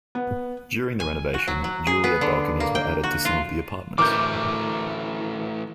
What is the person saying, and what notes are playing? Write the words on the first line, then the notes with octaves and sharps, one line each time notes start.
During the renovation juliet balconies were added to some of the apartments.
B3
G#5
F#4
F#3
F#3
G#4
B3
D3
A#3
G5
F#4
F4
D1 E3 A3 A#4 D6 G6